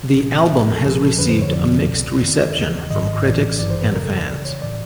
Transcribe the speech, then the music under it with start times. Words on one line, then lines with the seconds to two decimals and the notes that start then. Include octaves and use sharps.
The album has received a mixed reception from critics and fans.
0.16 A#1 A#2 F3
0.50 A#1 A2 F3
0.67 A#4
0.75 A4
0.84 A#1 A#2 F3 G#4
1.02 A4
1.19 F2 D3 F3 B4
1.30 C5
1.42 C#5
1.53 F2 D3 F3 D5
1.87 C2 B2
2.21 G1 F#2 D#3
2.55 D#2 C#3 E3 D#5
2.90 G#1 G#2 D#3 D#5
3.25 A#1 A2 E3 D5
3.59 G#1 G2 E3 D5
3.70 C5
3.81 B4
3.93 F2 C#3 F3 A#4
4.04 A4
4.16 D5
4.27 C#2 C#3 E3 D5
4.45 C#5
4.62 A2 E3 D5